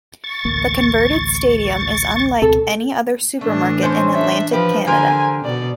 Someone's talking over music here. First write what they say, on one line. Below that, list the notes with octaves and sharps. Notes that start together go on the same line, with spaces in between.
The converted stadium is unlike any other supermarket in Atlantic Canada.
C#6 A6
A1 D2 A#3
C#2 B2 C4 A4
A2 E3 A3 D4
C4 C#4 C5
D4 E5
F3 G4 B4
D3 G4 A#4 C5 G#5
B2 D5